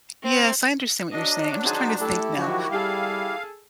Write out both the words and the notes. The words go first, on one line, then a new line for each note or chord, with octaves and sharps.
Yes, I understand what you're saying, I'm just trying to think now.
C4
F#3 D4 D#5
D#4 F#4 G#4 C5 A5
A3 E4 G4 A4
D#3 F3 F#3 F#4
G3 G#4 A4 F5